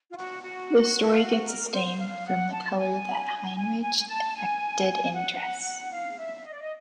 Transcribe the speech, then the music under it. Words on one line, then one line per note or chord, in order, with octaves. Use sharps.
The story gets its name from the color that Heinrich affected in dress.
F4
F#4
F#4
E4
F4
F#4
B4
A#4
C5
F5
F#5
A5
G#5
G#5
G#5
G#5
A5
G#5
F#5
F5
E5
D#5
D5
D#5